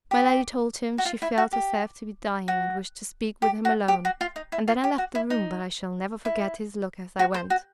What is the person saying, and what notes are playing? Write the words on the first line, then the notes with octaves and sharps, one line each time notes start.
My lady told him she felt herself to be dying, and wished to speak with him alone, and then I left the room, but I shall never forget his look as I went.'
G4
F#4
F4
E4
F#4
G4
F#4
G4
F#4
G4
F#4
F4
D#4
E4
F4
G4
F#4
E4
D#4
E4
F#4
C5
F#4